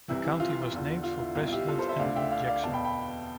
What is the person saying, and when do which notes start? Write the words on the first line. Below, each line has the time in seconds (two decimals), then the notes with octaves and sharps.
The county was named for President Andrew Jackson.
0.08 C2 C3 E3 E4
0.25 E4
0.40 F4
0.50 F4
0.61 F4
0.72 E2 D3
1.03 F4
1.20 E4
1.35 C2 B2 F4
1.48 F4
1.52 E4 G4
1.68 F4 A4
1.79 A4 C5
1.89 C5 E5
1.99 D2 D3 D5 F5
2.16 E5 G5
2.31 D5 F5
2.47 D5 F5
2.63 E2 B2 F5 A5
2.73 G5 B5
2.85 G5 B5